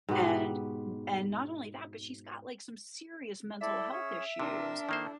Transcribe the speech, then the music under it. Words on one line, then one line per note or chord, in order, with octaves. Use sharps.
and w and not only that, but she's got, like, some serious mental health issues.
G#2 B2 B3 G4
E4 A4 D5 E5
C#4 G#4 C#5
C3 D4 A#4
D#3 A#3 E4 A4 C5